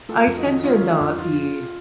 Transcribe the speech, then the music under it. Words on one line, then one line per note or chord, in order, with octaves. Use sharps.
I tend to not be
A3 F4 A4
F2
D#4 F#4
D#3
A3 C#4 F4
D#3
D#4
F2
F3 F4